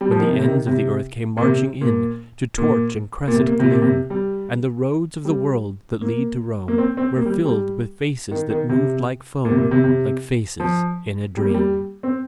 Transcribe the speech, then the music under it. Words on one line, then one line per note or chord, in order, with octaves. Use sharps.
When the ends of the earth came marching in To torch and cresset gleam. And the roads of the world that lead to Rome Were filled with faces that moved like foam, Like faces in a dream.
G3
F3
D#3
C3
C3
D#3
C3
A#2
C3
A#2
A#2
A#2
C3
A#3
C3
A#2
C3
G3
G3
A#3
A#3
C4
C4
A#3
G3
G3
D#3
D#3
C3
A#2
C3
A#2
C3
C3
F3
G3
A#3
G3
C4